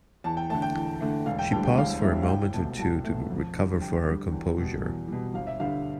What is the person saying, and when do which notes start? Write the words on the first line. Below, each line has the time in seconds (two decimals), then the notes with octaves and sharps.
She paused for a moment or two to recover her composure.
0.24 E2 A5
0.37 G5
0.50 D3 A3 A5
0.62 G5
0.75 E2
1.01 D3 A3
1.26 E1 F5
1.39 G5
1.51 D2 D3 G3 A5
1.65 G5
1.77 E1 F5
2.03 D2 D3 G3 E5
2.22 F5
2.28 C2 G5
2.53 B2 A3 A5
2.79 C2 A5
3.04 B2 A3
3.30 F2
3.55 D3 G3
3.81 F2 G5
4.07 D3 G3
4.32 E2
4.58 B2 G3
4.84 E2
5.08 B2 G3
5.34 G1 F5
5.47 E5
5.60 G2 D3 G3 F5